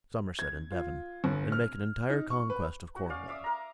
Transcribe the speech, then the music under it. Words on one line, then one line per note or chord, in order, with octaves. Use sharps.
Somerset, and Devon, and make an entire conquest of Cornwall.
G#6
F4
G1
F6
D#4
C#6
B4
F#4
C#4 D5 F5
E5 F5 D6 D#6
A#4 A#5